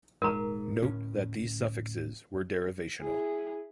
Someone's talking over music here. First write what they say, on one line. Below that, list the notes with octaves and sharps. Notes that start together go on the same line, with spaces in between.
Note that these suffixes were derivational.
D#1 G#2 A#4 A#5
D1 A2 C#4
E4 G#4